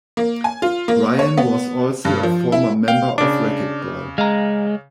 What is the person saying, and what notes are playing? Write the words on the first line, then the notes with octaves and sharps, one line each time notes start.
Brian was also a former member of Racketball.
A#3
G#5
F4
A#3
C#5
B3
G2
F3
E4
F5 G5
C#3 D4 D6
G#3 F5 A#5